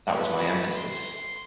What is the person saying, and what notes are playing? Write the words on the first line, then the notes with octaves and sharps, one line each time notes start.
That was my emphasis.
B4
C6